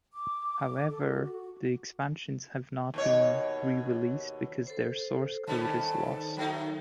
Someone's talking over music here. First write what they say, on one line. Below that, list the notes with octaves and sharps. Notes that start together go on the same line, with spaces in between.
However, the expansions have not been re-released because their source code is lost.
D6
A4
F#4
F#4
D#2 B2 C#5
A4 C5
G2 D#3 C#4 A5
F#3 A3 D#4